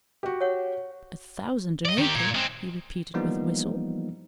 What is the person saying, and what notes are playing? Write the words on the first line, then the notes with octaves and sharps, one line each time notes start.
"A thousand an acre?" he repeated with a whistle.
F#4 G4
C#5 F#5
D5 D#5
D#3 G4
A#2
G#3 C4
E3 F3 G3 A#3 B3 D#4